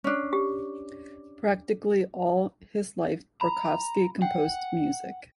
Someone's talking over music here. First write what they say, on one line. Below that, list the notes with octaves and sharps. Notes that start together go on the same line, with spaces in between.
Practically all his life Berkovsky composed music.
C#4 D4
G4
A#5 B5
F#5 G5